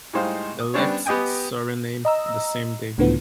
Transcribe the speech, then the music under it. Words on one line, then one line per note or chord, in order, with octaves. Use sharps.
They left Suriname the same day.
A2 G3 G#3 D#4 C5 F5
D#6
G3 B3 C#4 D4 C5 C#5
B3 G4 D#5 G5 G#5
D#5 A#5 E6
C#2 A2 D3 E3 F3 B3